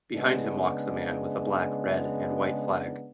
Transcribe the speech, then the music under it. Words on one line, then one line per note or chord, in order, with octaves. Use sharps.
Behind him walks a man with a black, red, and white flag.
C#3 G#3 B3 D4